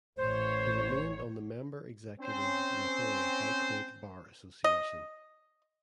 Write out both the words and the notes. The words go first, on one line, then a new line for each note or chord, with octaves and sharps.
He remained on the Member Executive Lahore High Court Bar Association.
A1 C5 C#5
C4 C#4 C5
D#5